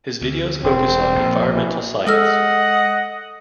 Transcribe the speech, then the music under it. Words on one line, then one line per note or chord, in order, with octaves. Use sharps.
His videos focus on environmental science.
D2
E1 C4
A#1 A#2
E3
G#3 A4 D#5 F#5 E6 F6